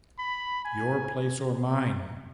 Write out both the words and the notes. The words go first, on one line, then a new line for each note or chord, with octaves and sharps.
Your Place or Mine!
B5
G#5